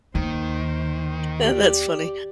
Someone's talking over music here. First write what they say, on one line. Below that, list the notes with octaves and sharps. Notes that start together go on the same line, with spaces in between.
Yeah, that's funny.
D#2 D#3 C5
G4 D5